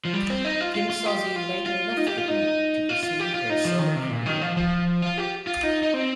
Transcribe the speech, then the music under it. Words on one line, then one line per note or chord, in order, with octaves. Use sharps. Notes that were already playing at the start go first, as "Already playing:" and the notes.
Kim Sozzi later left the group to pursue her solo career.
F3
G3
C4
D#4
F4
F4
F4
G4
F4
F4
D#4
G4
F4
D#4
F4
F4
G4
F4
D#4
F3
D#3
C3
A#2
D#3
F3
F3
F4
G4
F4
D#4
D#4
C4